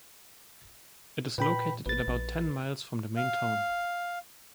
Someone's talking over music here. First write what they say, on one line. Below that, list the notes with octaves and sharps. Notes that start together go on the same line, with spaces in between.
It is located at about ten miles from the main town.
A#2 B4 G5 B5
A1 B4 A6
A#1
F5